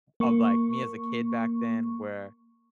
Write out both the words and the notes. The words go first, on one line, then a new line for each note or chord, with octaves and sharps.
of, like, me as a kid back then where
A#3 C#6